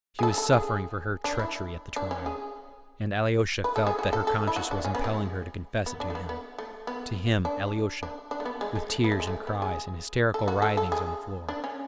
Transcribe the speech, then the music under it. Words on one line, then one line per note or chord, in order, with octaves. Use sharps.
She was suffering for her "treachery" at the trial, and Alyosha felt that her conscience was impelling her to confess it to him, to him, Alyosha, with tears and cries and hysterical writhings on the floor.
G#4
A4
A4
G#4
D4
E4
D4
C#4
G#4
B4
A4
G#4
F#4
A4
A4
E4
F#4
D4
C#4
B3
F#3
G#3
B3
D4
A3
B3
B3
A3
B3
D4
D4
D4
A3
B3
G#3
A3
A3
B3
A3
G#3
A3
B3
G#4
A4
F#4
A4
A4
G#4
D4
C#4